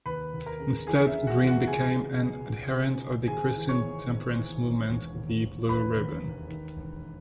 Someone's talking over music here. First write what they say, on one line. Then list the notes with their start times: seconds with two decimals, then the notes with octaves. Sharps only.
Instead, Green became an adherent of the Christian temperance movement, the Blue Ribbon.
0.06 D#2 B4 B5
0.34 D#2
0.46 A#4 A#5
0.60 C#3
0.87 E3 G#4 G#5
1.06 E5
1.13 C#3
1.27 F#4 F#5
1.40 E3
1.47 F#4 F#5
1.67 C#2 G#4 G#5
1.94 C#2
2.21 B2
2.47 C#2
2.74 C#2
3.02 C#2
3.28 G#1 G#4 G#5
3.55 E3
3.69 C#5 C#6
3.81 E3
4.09 G#1
4.35 E3
4.63 E3
4.89 E1
5.16 D#2
5.43 D#2
5.69 E1 B4 B5
5.96 D#2
6.24 D#2
6.50 D#3
6.76 E1